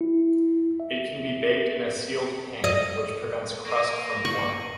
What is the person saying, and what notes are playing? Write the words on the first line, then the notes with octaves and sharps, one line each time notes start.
It can be baked in a sealed pan, which prevents crust from forming.
E4
E5
D#5
A#3 C#6 A#6 D#7
C#6 F#7